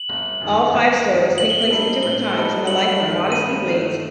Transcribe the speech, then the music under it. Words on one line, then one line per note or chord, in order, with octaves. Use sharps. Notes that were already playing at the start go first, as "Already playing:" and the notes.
All five stories take place at different times in the life of Modesty Blaise.
Already playing: F#7
G1
F#2 D#3
G1
F#2 D#3
A2 F#7
G7
F#7
G3 D#4 A4
A2 G7
G3 D#4 A4
G2 F#7
D#3 A3
G2 D#7
D#3 A3